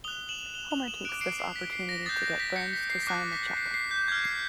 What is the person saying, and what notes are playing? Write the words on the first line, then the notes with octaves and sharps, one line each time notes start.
Homer takes this opportunity to get Burns to sign the check.
D#6 F#6 F7 G7
E7 F#7
F7 G7
F7 G7
E7 F#7
D6 F#6 D7 E7
C7 D7
C7
B6
C7
A#6
D#6 G6 A6
A#6
B6
B6 C#7
B6
C7
B6
D6 F#6 C7
B6
C7
C7
G6
D6 F6 G#6
C7